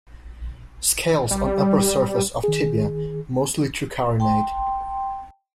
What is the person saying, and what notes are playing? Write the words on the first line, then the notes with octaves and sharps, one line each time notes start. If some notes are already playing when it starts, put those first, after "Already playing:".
Scales on upper surface of tibia mostly tricarinate.
G3
D#3 G#4
G5 A5 C6